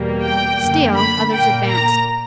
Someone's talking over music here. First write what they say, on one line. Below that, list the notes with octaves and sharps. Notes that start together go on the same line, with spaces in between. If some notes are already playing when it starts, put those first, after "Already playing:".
Still others advanced.
Already playing: E2 B2 G3 A#3
G5
F#2 D3 A#3
B5
A#2 A#3 G5
A#5